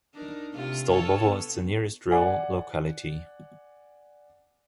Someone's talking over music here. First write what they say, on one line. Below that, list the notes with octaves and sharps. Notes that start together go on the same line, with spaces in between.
Stolbovo is the nearest rural locality.
D4 D#4 A#4
C3 A3 F4
F4 A4 C#5
B3
D5 F#5 G#5